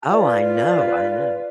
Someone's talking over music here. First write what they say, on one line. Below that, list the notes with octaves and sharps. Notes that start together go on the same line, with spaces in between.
Oh, I know, I know.
F4 B4 D5